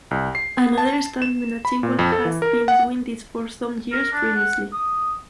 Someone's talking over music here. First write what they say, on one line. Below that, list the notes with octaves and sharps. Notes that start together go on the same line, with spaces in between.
Another establishment at Chigwell has been doing this for some years previously.
C2
C7
B3
A5
E7
B5
A#2
F2
A4
E3
A#4
F#5
A#4
D4
F#5
D#6